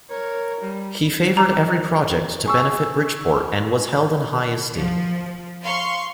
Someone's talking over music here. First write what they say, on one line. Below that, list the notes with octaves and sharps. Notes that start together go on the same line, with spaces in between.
He favoured every project to benefit Bridgeport and was held in high esteem.
A#4 C#5
G3
A#5
G#4 C#6 E6
F3
F5 C6 C#6